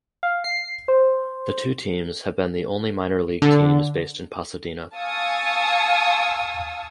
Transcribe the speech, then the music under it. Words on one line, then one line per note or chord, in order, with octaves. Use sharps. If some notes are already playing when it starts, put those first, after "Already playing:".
The two teams have been the only minor league teams based in Pasadena.
F5
C7
C5
D3
F5 G#5 A5 C#6 D#6 E6